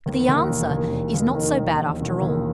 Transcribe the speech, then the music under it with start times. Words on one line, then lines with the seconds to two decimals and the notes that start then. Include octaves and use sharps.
But the answer is not so bad after all.
0.06 D#2
0.28 D#2
0.49 E1
0.71 D#2
0.92 E1
1.14 D#2
1.35 D#3
1.57 E1
1.78 E1
2.00 E1
2.22 D#2